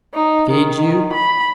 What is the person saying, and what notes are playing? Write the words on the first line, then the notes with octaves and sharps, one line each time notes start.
Feed you?
D#4
D#3
B5